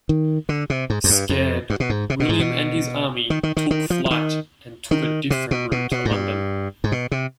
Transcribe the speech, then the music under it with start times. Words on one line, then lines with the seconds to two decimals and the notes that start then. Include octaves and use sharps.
Scared, William and his army took flight and took a different route to London.
0.09 D#3
0.49 D3
0.70 C3
0.90 G#2
1.04 F2
1.10 G2
1.29 F2
1.70 G2
1.80 B2
1.90 G#2
2.10 C3
2.20 B2
2.29 G#2
2.40 B2
3.30 D#3
3.43 D#3
3.57 D#3
3.71 D#3
3.90 F3
4.06 F3
4.11 D#3
4.91 D#3
5.30 C3
5.51 B2
5.72 B2
5.92 B2
6.05 G#2
6.11 G2
6.84 G#2
6.92 B2
7.11 C3